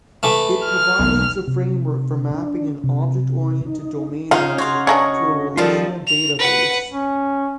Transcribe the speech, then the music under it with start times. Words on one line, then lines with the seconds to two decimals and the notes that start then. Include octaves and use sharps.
It provides a framework for mapping an object-oriented domain model to a relational database.
0.23 E3 A3
0.64 F6
0.99 E1 B1 B2
1.47 C3
2.34 D4
2.84 C3
3.66 D#4
4.31 C#3 D#4 F4 F5 F#5
4.58 F#4 C#5 F5 C6
4.87 C#3 F#3 D4 C#5 D#5 C#6
5.57 D#3 F3 G3 F4 A4
6.07 F7
6.39 B4 F#5
6.91 C#4